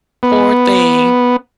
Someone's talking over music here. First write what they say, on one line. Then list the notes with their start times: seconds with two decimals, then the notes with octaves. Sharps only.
Poor thing,
0.23 B3